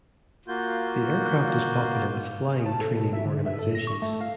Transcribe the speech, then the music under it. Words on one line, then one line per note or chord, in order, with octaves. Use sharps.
The aircraft is popular with flying training organizations.
A#3 F4 F#4 G6
A5
A4
B2
E5
D3
E5
A4
A#6
C#6
A3
F5